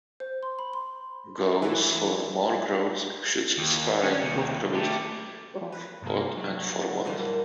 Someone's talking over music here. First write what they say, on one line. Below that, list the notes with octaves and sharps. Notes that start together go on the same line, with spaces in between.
Goals for more growth should specify more growth of what and for what.
C5
C6
B5
C6
E3
D#2
C#4
D#2 C3
A3 G4
B4
G2 C3 A#3
F#3
A#2 D3 E3 G3